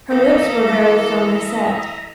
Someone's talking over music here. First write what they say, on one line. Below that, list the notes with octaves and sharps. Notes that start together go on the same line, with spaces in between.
Her lips were very firmly set.
E3 A#3 A4 D#5 E5 A#5